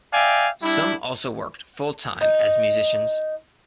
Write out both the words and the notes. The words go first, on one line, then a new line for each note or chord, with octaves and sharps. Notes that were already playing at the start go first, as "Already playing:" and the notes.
Some also worked full time as musicians.
D5 E5 F5 G5 G#5
G3 D4 E4
D#4